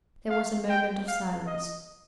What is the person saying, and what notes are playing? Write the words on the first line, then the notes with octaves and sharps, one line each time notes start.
There was a moment of silence.
F5
G5
F5
D#5